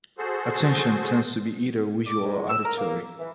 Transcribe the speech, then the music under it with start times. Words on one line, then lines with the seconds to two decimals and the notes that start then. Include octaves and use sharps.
Attention tends to be either visual or auditory.
0.18 F#4 G#4 A4 C5
2.06 D6
2.24 G#2
2.49 E6
2.64 A#4
2.78 A#3
3.19 E3